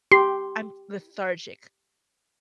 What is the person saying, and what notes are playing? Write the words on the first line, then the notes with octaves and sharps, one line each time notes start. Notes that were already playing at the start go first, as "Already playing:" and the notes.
I'm lethargic.
G4 C6